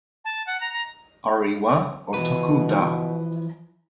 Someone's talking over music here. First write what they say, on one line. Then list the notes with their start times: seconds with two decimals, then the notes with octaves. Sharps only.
Ore wa Otoko Da!
0.25 A5
0.47 F#5
0.61 A#5
0.73 A#5
2.14 B2 E3 F3 B4